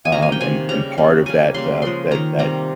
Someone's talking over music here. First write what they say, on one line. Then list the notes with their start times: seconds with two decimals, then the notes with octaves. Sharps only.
um, and and part of that, uh, that that
0.05 G#5
0.12 C3 D#3 A#3 A#5
0.22 G#5
0.32 G5
0.41 C3 D#3 A#3 G#5
0.69 C#3 G3 A#3 A#5
0.98 C#3 G3 A#3
1.26 C#3 G3 A#3 G#5
1.54 C#3 G3 A#3 C6
1.82 C#3 F3 G#3 C6
2.11 D#3 A#3 A#5
2.39 C3 G3 A#3 A#5